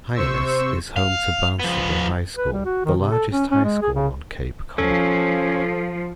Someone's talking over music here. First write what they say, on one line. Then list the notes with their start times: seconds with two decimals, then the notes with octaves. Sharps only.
Hyannis is home to Barnstable High School, the largest high school on Cape Cod.
0.15 C3 C5 C#6 E6
0.96 F5
1.60 F3 B3
2.36 B4
2.52 G3
2.65 F#4
2.85 D#3
2.99 C3
3.11 A4
3.32 C#4
3.51 C#4
3.64 G#3
3.82 G#4
3.95 C#3
4.78 F3 C#4 A4